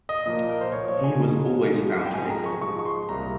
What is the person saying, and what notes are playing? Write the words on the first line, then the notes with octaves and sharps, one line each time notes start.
He was always found faithful.
D#5
A#2 F3 A#3
A#4
C5
A#2 F3 A#3 C#5
C#5
G#5
G#2 F3 G#3
G#2 F3 G#3
G5
G#2 F3 G#3 G#5
A#5
C#6
G#2 F3 G#3 C#6
C#6
C6
C2 A#2 G3 A#3 A#5